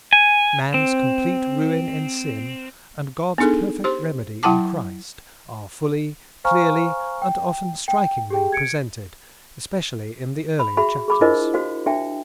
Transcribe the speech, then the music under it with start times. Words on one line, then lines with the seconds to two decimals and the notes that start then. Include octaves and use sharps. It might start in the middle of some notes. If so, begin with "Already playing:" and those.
Man's complete ruin in sin, and God's perfect remedy in Christ, are fully, clearly, and often strikingly, presented, especially in the earlier chapters.
0.13 G#5
0.74 C4
3.38 B3 D4 D#4 G#4 A4
3.84 G4 C5 C6
4.43 F#3 E4 F#5 G5 A5 D6
6.44 C5 F5 G#5 A#5 C#6 F6
7.22 G5
7.88 G5
8.30 G4 G#4 G5
8.52 G#6 C#7 D7
10.59 B5
10.77 F#4 G#4 E5 B5
11.08 G#4 B5 D6
11.21 D4 E4 F4 A#4 C5 D#5
11.54 F#4 C5 F5
11.86 D4 F#4 E5 G5